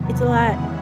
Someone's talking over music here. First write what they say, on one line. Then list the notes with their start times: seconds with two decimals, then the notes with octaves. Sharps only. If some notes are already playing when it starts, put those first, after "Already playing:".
it's a lot
Already playing: E2 C3 D#3 F#3 B3
0.39 C#3 E3 G#3 C#4 E4 F#5